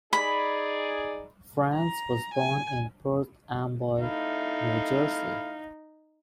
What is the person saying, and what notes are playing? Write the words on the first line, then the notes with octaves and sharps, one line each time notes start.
Franz was born in Perth Amboy, New Jersey.
D#4 G#4 D5 B5
A#5
G#5
A3 D#4 E4 F5